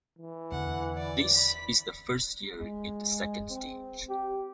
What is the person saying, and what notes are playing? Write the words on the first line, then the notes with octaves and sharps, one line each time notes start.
This is the first year in the second stage.
E3
E2 D3 F#5
D5
B5 B6
G#3
C4
G4